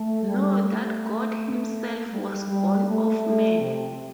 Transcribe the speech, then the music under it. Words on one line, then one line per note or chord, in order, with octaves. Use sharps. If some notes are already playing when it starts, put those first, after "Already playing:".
Know that God Himself was born of man.
Already playing: A3
G3
A3
G3
G3
A3
C3